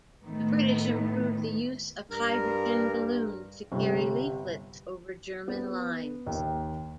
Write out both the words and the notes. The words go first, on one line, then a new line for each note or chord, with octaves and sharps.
The British improved the use of hydrogen balloons to carry leaflets over German lines.
A2 D#3 A3 B3
G2 A#4
G1 C3
B3
D#2